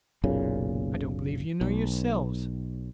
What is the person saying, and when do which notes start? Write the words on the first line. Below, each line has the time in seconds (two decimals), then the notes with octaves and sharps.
I don't believe you know yourselves.
0.24 F#1 B1 A#2 C#3
1.61 B1